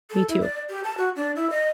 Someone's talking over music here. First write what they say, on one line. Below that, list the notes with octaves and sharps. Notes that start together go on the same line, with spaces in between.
me too.
A4
E4
D5
G4
A5
F#4
D4
E4
D#5